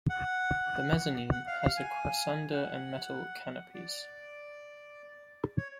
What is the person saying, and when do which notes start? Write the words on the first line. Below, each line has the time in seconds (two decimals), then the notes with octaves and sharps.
The mezzanine has a crossunder and metal canopies.
0.10 F#5
1.32 F#5
1.47 F5
1.62 F5
1.77 G#5
2.53 F#5
3.75 D5
5.57 C#5